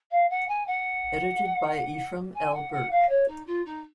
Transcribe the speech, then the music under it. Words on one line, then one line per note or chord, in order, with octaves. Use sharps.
Edited by Efram L. Burk.
F5
F#5
G#5
F#5
G#5
F#5
F#5
F5
C#5
D#4
F4
D#4